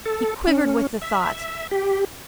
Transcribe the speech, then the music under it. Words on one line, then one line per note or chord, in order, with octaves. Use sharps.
He quivered with the thought.
A4
C#4
E5
G4